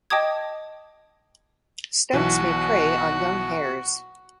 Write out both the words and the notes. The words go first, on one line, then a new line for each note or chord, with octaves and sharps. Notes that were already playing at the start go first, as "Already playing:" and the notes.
Stoats may prey on young hares.
D#5 G5 A5 D6 D#6 G#6
B1 B2 E3 F#4